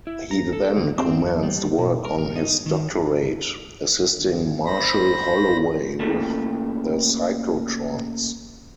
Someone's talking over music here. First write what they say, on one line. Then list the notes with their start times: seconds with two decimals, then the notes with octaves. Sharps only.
He then commenced work on his doctorate, assisting Marshall Holloway with the cyclotrons.
0.07 E4
0.31 A#5
0.53 A4
0.77 D3
0.98 C4
1.22 F2
1.43 G3
1.78 B2
2.05 A#4
2.19 A#4
2.36 D#4
2.66 D#3
4.14 D3
4.66 C5 B5 A#6
6.00 A#2 C#3 A3